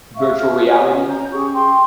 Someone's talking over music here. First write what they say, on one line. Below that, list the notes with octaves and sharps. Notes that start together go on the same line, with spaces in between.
Virtual reality?
E5 F5 C#6
F6
C#5
A#5 G6
C#4 G4 G#4 C#6
G5 C6